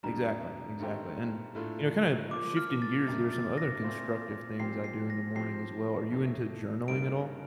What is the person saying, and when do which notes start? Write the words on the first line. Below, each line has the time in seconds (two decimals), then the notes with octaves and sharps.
Exactly, exactly, and, you know, kinda shifting gears, there are some other constructive things I do in the morning as well. Are you into journaling at all?
0.03 F2 D3 G3 A#5
0.79 G2 D#3 A3 C4 G4
1.55 A2 A3 D4 F4
2.31 F3 A#3 F4 D6
2.57 F6
2.82 A6
3.07 F2 C3 G3 A#3 A6
3.33 A6
3.58 A#6
3.83 A#2 A3 C4 F4
4.59 A#2 F3 C4 G4 C7
4.84 C7
5.10 A#6
5.35 F3 C4 G4 C7
6.12 F2 D#3 A3
6.87 G2 D3 G3 A#3 D#4 D7